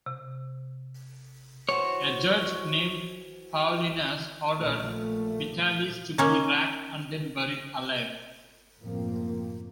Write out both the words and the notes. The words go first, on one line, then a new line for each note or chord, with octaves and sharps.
A judge named Paulinus ordered Vitalis to be racked and then buried alive.
C3
E3 F#4 C5 C#5
A#1 A3
A#3 C#4 D#4
F#1 A2 F3 A#3 C4